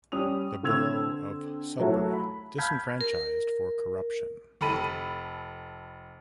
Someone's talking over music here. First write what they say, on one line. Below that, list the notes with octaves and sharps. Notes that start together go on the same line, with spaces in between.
The Borough of Sudbury disenfranchised for corruption.
G3 C#4 D#6 F7
D3 C4 E6 G#6 F7
F#3 A3 E4 F#4 A4
B5
A5 B5 F6 G6 G#6 B6
A#4
F1 A4 B5 D#7